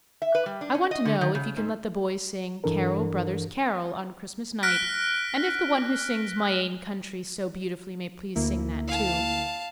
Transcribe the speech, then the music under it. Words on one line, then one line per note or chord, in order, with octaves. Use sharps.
I want to know if you can let the boys sing 'Carol, brothers, carol,' on Christmas night, and if the one who sings 'My ain countree' so beautifully may please sing that too.
E5
B4
G3
D4
C#4
D#5
D3
D#3
C#3
G#2
G2 E3 D4 A4 A#4
F6 F#6 A#6 B6 D7
D2 A#3 E4
F5 A5